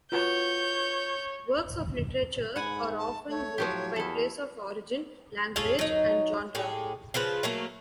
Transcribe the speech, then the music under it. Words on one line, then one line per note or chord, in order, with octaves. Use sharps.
Works of literature are often grouped by place of origin, language, and genre.
F4 F#4 B4 C#5 G6
G#2 F#5 G#5 B5
A5
A3 C#5
A2 F3 F#3 G4
E2 E4 A4
F4 G#4 A4 C#5
F#3 D#4
A2 G4 G#4
C#3 F3 F4 B4
F#3 A3 A#3